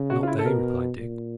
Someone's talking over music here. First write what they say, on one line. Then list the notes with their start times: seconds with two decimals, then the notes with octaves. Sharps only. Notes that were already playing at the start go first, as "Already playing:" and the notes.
"Not they," replied Dick.
Already playing: C#3
0.10 F#4
0.23 F4
0.27 E4
0.38 A4
0.45 B2 A#4
0.98 A#2